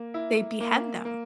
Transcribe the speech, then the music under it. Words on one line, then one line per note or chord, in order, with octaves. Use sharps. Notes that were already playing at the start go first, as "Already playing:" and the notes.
they behead them.
Already playing: A#3
E4
A#3
A#3